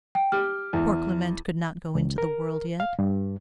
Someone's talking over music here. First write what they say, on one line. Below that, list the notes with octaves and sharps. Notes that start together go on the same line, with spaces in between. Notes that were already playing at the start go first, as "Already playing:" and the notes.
Poor Clement could not go into the world yet.
G5
G4 F6
E2
C#2
A#4
F5
G2